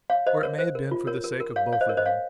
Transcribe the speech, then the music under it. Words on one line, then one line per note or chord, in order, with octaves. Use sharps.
Or it may have been for the sake of both of them.
C#5 F5
C5 D#5
A#4 C#5
C5
A#4
F4
A#4 C#5
A#4
A#4
C#5 F5
C#5 F5
C5 D#5
A#4 C#5
C5 D#5
C#5 F5